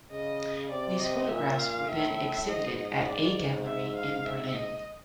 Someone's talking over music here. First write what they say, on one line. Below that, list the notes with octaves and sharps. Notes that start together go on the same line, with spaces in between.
These photographs were then exhibited at a gallery in Berlin.
C#3 D#5
C3 D5
C3 D#5
A#2 E5
F5
A2 E5
G#2 D#5
D#5
D5
E5
F5
E5
D#5